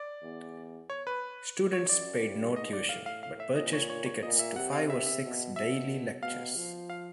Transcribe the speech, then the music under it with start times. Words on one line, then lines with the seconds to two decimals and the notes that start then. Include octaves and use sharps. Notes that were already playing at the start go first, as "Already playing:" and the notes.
Students paid no tuition, but purchased tickets to five or six daily lectures.
Already playing: D5
0.23 E2
0.90 C#5
1.07 B4
1.73 C#5
1.89 F#2 D5
2.23 G2
2.56 G#2 D#5
2.73 D5
2.89 A2 F5
3.06 F5
3.23 F5
3.40 E5
3.56 A#2 D#5
3.73 C#5
3.90 C#5
4.06 C#5
4.23 A#2 D#5
4.39 E5
4.56 C3 F#5
4.73 F5
4.90 E5
5.07 E5
5.23 B2
5.56 B2 E5
6.23 B2 F5
6.56 F3
6.90 F5